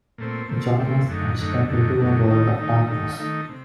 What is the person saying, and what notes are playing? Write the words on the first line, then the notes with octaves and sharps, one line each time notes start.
Join us and step into our World of Darkness!
A#2 A3 C4
A#2 A3 C4
A#2 A3 C4
F#2 D3 A3 D#4
F#2 D3 A3 D#4
F#2 D3 A3 D#4
F#2 D3 A3 D#4
D#3 A3 D#4
D#3 A3 D#4
D#3 A3 D#4
D#3 A3 D#4
C3